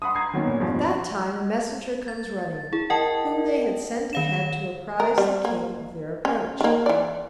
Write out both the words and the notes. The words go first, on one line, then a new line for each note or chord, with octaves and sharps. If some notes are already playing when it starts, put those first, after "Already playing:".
At that time a messenger comes running, whom they had sent ahead to apprise the King of their approach.
F#5 B5 C6 D#6
A#5 G#6 C7
D#3 F#3 A#3 B3 C#4
A#2 C#4
E2 G2 B2 F3 C4 D4
A6
E4 G#4
A#4 D#5 F#5 G5 A5
D#3 F5 E7
A#4
G3
A#3
C#4
D#3 A#3
E3 D5